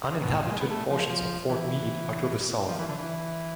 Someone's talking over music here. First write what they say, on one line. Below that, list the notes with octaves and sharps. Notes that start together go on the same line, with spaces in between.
Uninhabited portions of Fort Meade are to the south.
B2
A2
F3
G#3
B3
A3
F3
F3
E3
F3
E3
D3
E3